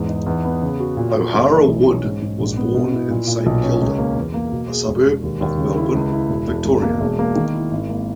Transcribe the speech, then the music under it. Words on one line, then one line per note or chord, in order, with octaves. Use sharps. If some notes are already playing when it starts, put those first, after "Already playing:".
O'Hara Wood was born in Saint Kilda, a suburb of Melbourne, Victoria.
Already playing: E2 G#2
D#4
E2
B3
C#3
F#4
A#2
A#2
F#1
E3
B1
C#4
G#2
G#2
A#1
B3
B2
E4
A#2
A#2
B1
C#4
C#2
A#3
E2
A#3
B2
G#4
E1
E1
D#2
D#2
C#3
E4
C#2
E4
E1
E1
G#1
A#3
E1
A#3
D#3
E4
G#1
A#3